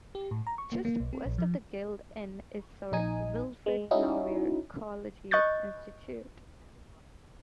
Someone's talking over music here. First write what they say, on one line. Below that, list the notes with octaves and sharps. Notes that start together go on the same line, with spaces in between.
Just west of the Guild Inn is Sir Wilfrid Laurier Collegiate Institute.
G4
A2
A#5
C#6
A#3
A#3
B1
C4
A#1
F3
A#1 D#4 G#5
G#3
C#4 D#4 E4 F#4
D#5 C#6 F#6 G6 A6